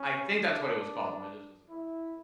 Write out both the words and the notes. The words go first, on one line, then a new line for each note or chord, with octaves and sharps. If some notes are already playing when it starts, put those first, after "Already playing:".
I think that's what it was called, "The Magician's Apprentice." Yes,
Already playing: C#4
D4
E4